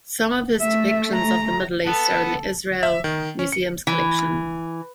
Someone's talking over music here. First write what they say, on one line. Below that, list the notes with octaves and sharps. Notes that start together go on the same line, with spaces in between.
Some of his depictions of the Middle East are in the Israel Museum's collection.
A3 E5
A#5
B3 A4
E5
D#3
C#4
C#7
E3